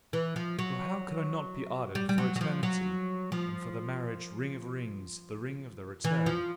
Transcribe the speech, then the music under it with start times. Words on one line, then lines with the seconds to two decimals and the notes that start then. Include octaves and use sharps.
Oh, how could I not be ardent for Eternity, and for the marriage-ring of rings--the ring of the return?
0.13 E3
0.36 F3
0.59 F#3
1.95 G3
2.09 G3
2.18 F#3
2.36 F#3
2.41 F3
2.63 F#3
3.32 F3
6.04 E3
6.26 F3